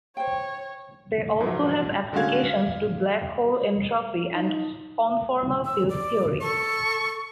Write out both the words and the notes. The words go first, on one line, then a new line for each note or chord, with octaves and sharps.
They also have applications to black hole entropy and conformal field theory.
C5 C#5 G5
G#2 F3 F#3
D3 G#3 C#4 F#4 F5 G#6
F5
D#4
E6
D5
A4 C#6